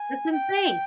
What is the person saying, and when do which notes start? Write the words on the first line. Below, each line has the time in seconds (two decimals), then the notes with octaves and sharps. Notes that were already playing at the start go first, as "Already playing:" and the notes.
That's insane.
Already playing: G#5
0.32 G5